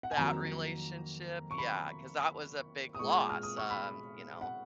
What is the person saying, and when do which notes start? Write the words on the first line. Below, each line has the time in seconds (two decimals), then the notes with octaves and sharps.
that relationship, yeah, 'cause that was a big loss, um, you know,
0.03 F#5
0.11 G#5
0.17 F2 D#3 F#3 A#3 A#5
1.51 C#6
1.58 B5
2.95 D#6
2.99 A#2 G#3 B3 C#6
3.30 F6
3.43 D#6
3.57 C#6
3.70 B5
4.41 F#5